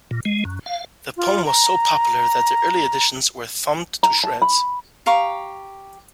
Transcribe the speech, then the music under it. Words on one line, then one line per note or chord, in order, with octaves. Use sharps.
The poem was so popular that the early editions were thumbed to shreds.
A#2
G#3
F#2
F5
F4
A#5
A#5
A5
B5
G4 F5 A#5 C#6